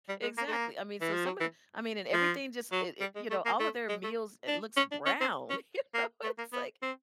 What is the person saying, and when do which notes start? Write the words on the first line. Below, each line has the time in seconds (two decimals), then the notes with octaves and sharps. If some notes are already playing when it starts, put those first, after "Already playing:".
Exactly, I mean, so some of the I mean, and everything just, it it you know, all of their meals, it looks brown, you know, it's like
0.09 G3
0.23 G#3
0.37 A#3
0.47 A3
0.52 A#3
1.01 E3
1.13 F3
1.26 F#3
1.40 E3
2.13 F3
2.72 F#3
3.01 G3
3.15 G#3
3.30 A3
3.45 A#3
3.60 A3
3.89 G#3
4.04 A3
4.47 D4
4.77 C#4
4.91 D4
5.06 C#4
5.21 C4
5.50 C#4
5.94 A#3
6.23 A3
6.38 A#3
6.52 B3
6.82 C4